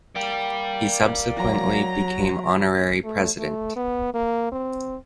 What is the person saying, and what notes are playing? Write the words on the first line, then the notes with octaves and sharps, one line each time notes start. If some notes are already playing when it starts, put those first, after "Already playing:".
He subsequently became Honorary President.
A#3 D5 G5
F#3 A#5
A3
A3
B3
A#3
C4